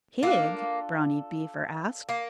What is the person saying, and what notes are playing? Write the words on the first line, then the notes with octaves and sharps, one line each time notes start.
"Pig?" Brownie Beaver asked.
A#3 D4 F4 A4
A#3